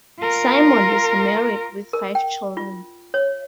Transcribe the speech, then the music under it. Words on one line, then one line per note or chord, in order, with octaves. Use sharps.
Simon is married with five children.
F4 A#4
A#4
G5
F4
C#5